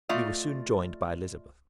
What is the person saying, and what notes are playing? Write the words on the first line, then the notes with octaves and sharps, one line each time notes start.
We were soon joined by Elizabeth.
A3 F4 D5 D#5